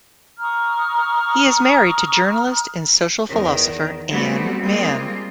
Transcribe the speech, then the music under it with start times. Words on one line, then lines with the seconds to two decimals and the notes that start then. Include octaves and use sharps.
He is married to journalist and social philosopher Anne Manne.
0.39 A#5 C#6 D#6 F6
3.28 E2 D#3
4.09 G3 A3 B3 C4 F#4
4.62 G3 G#3 A#3 C4 F4